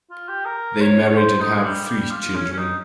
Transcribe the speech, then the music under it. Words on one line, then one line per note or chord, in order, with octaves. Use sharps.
They married and have three children.
F4
G4
A#4
C#5
C#5
C5
D#4
G#3
G3
G3
F4
C#4
C#4
D#4